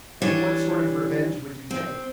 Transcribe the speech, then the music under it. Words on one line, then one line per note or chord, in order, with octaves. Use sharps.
"And what sort of revenge would you take?"
E3 G3 D4 C#5
C4